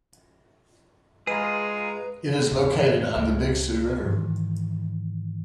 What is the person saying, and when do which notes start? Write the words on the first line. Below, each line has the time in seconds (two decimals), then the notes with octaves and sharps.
It is located on the Big Sioux River.
1.27 G#3 F4 G#4 B4 A#5
2.51 D#2 G#2
3.16 C#2
4.03 G#2 D#3 E3